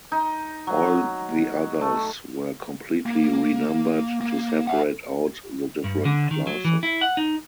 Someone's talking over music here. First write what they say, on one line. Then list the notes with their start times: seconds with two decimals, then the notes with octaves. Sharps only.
All the others were completely renumbered to separate out the different classes.
0.12 D#4
0.67 F#3
1.81 A3
3.06 A#3
4.21 A#3
4.67 E5 F#5
5.84 G2
6.05 D3
6.31 D#3
6.47 F#3
6.65 E3
6.83 E4
7.01 F#5
7.17 D#4